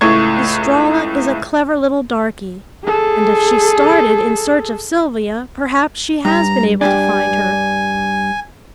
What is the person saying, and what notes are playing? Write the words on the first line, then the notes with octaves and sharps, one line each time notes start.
Estralla is a clever little darky, and if she started in search of Sylvia perhaps she has been able to find her.
C#2 A2 A3 C#6 G#6
G#4 A4
G2 A#5
G2 G3 D4 G#5